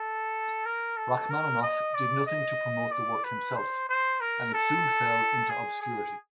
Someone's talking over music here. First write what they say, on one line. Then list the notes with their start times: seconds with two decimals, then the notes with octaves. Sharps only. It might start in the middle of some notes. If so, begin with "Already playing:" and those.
Rachmaninoff did nothing to promote the work himself, and it soon fell into obscurity.
Already playing: A4
0.65 A#4
0.97 A4
1.30 A#4
1.62 D#5
1.94 D5
2.27 D#5
2.91 D5
3.24 B4
3.56 C5
3.89 C5
4.21 A#4
4.54 A4
5.50 G#4
5.82 G#4